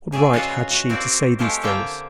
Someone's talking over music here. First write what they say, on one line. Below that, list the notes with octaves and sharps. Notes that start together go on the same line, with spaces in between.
What right had she to say these things?
C#3 G#4 D5 E5
F4 F#4 B4 C#5 D#5 E5
F#4
A#3 C4 E4 D5
F3 G#3 A3 E4 F4 G4
D3 F3 A#3 E5 G5 A#5